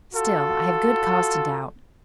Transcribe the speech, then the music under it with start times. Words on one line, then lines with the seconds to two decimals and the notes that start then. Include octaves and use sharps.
Still, I have good cause to doubt.
0.14 F4 F#4 A4